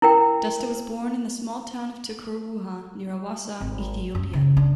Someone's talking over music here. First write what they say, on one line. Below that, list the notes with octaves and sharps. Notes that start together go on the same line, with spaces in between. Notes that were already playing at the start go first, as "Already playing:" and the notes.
Desta was born in the small town of Tiqur Wuha near Awassa, Ethiopia.
E4 A#4 G5
G#1
F#2
C#3
D4